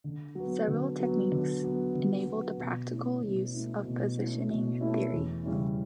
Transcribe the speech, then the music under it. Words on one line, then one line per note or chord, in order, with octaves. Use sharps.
Several techniques enabled the practical use of positioning theory.
D3
F#3 B3
D3
F#3 B3
D3
F#3 B3
D3
F#3 B3
B2
A3 C#4 E4
B2
A3 C#4 E4
B2
A3 C#4 E4
B2
A3 C#4 E4
E2
C#3 G3 C#4 E4